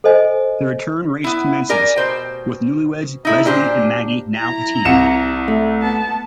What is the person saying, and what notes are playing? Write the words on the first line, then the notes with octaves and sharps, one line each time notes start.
The return race commences, with newlyweds Leslie and Maggie now a team.
A4 C5 D#5 G#5
B3 E4
G4 A#4 D5 G#5
B2 C5 G5
D#4 E4 A4
A#2 D4 G4 C5
E4 A#5
C2 C#7 E7
A3
B3 A5